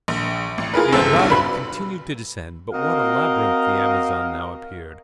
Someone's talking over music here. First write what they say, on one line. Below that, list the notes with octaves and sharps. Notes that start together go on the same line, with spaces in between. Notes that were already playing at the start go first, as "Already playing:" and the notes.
The jangada continued to descend; but what a labyrinth the Amazon now appeared!
A#1
A1
F4 G#4 A#4 B4
G1 C#2 C#3 A4 C5 E6
B1 G2
F#4 B4 B5
C4 F#4 A#4 D#5 F5